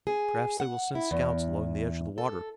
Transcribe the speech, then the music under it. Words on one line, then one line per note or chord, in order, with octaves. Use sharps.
Perhaps they will send scouts along the edge of the water.
G#4
F#5
E4
E2
A4